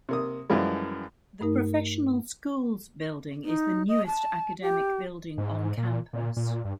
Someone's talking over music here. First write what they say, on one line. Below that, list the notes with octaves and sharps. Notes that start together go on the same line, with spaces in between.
The Professional Schools Building is the newest academic building on campus.
C3 A#3 D#6
F#2 E3 F3 G3 G#3
G2 A3 D#4 A#4
D#4
D#5
A5
G4
G#2
A#2
A#2
A#2
G2